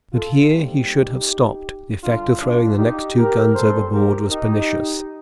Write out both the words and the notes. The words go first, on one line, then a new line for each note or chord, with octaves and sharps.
But here he should have stopped; the effect of throwing the next two guns overboard was pernicious.
F4 A4
A#2 G3 C4 D#4 G4
G2 D3 G3 D4 F4
D4 F4
D#4 G4
G4 A#4
A#2 G3 C4 A4 C5
G4 A#4
D#4 G4